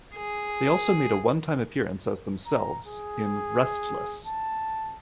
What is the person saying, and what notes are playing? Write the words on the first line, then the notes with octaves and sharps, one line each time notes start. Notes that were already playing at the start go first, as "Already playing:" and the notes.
They also made a one-time appearance as themselves in "Restless".
G#4
A#5
G#4
A5